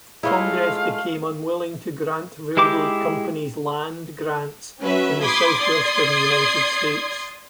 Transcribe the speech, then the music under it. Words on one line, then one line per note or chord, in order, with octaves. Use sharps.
Congress became unwilling to grant railroad companies land grants in the Southwestern United States.
G#3 A3 E4 F4 B4 C#5 F5
G#3 E4 G4 D6
F#3 C#4 B4 E5
B5 C6 D6 D#6 G#6 B6
D5 C6 D#6 G#6 C7